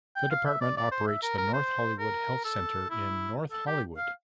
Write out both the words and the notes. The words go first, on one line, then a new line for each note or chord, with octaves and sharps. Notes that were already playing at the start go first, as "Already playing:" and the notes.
The department operates the North Hollywood Health Center in North Hollywood.
G5
F5
E5
D5
D5
C5
E5
A#4
A#4
C5
A#4
A4
E4
A4
G4
F5